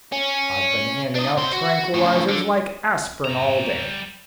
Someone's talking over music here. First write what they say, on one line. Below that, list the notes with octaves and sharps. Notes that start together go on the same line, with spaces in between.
I've been handing out tranquilizers like aspirin all day.
C#4
D4 D#5
C3 C5
F#4
A2 C#3
D3
G3 A#5